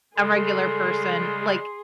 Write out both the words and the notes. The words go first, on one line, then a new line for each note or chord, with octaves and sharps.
a regular person, like
C#3 G3 G#3 G#4 A4 C6